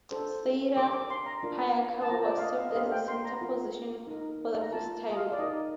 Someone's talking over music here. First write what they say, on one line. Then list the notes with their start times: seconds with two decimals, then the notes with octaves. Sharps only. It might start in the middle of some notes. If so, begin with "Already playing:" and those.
Seira Hayakawa was served as the center position for the first time.
0.11 D4 A4 C5
0.77 D4 G4 A#4 D6
0.93 D6
1.10 C6
1.26 A#5
1.43 D4 F4 A#4
2.02 A5
2.09 F4 C5 A#5
2.25 D5
2.38 F5
2.41 D#5
2.58 F5
2.70 D#5
2.75 D4 G4 C5 F5
2.92 G5
3.08 C6
3.24 A#5
3.41 F4 A#4
4.07 D#4 A#4
4.61 A#5
4.73 F4 A#4 A5
5.10 D#5
5.16 F5
5.32 D5
5.38 D#4 A#4 D#5